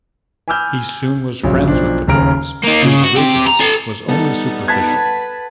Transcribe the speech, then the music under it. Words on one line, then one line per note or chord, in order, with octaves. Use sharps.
He soon was friends with the boys, whose rudeness was only superficial.
G#5 B5 D6 E6 F6 G6
A#1 G2 C#3 F#3
B1 F3 D4
F#1 D#2 C#3 A#5 F6 D7
A#3 D#4
C#3
F#4
C3 G4
A#5
A4 G#5
G3 B3 D#4 A4
B4 F#5 A5 G#6 B6